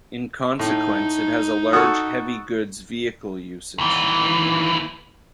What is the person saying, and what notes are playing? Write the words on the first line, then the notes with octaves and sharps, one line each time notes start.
In consequence it has a large Heavy Goods Vehicle usage.
A2 D#4
F#4 A4 C#6 D#6
D#2 E3